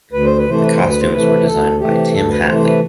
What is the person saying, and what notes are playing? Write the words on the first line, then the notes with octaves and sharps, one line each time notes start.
The Costumes were designed by Tim Hatley.
D2 B4
C5
B4
C3 E3 A3 C5
B4
C5
D2
B4
C5
C3 E3 A3 B4
D2 A4
C3 E3 A3 G4
D2 A4
B4
C3 E3 A3 C5
C5
B4